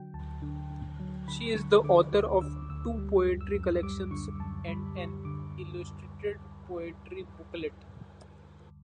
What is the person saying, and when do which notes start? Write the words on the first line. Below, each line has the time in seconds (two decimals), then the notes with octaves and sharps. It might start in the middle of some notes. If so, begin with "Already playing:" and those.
She is the author of two poetry collections and an illustrated poetry booklet.
Already playing: D3 F#3 G5
0.14 D2 A5
0.42 D3
0.71 D3
1.00 F#3
1.28 D3 B5
1.56 D3 C#6
1.84 D3 D6
2.13 D2 D6
2.41 D3 E6
2.69 D2 E6
2.98 G3
3.27 F#2
3.41 E6
3.54 F#2
3.83 G3 D6
4.11 D3 C#6
4.40 F#2 A5
4.68 G3 B5
4.97 G3 C#6
5.25 D3 D6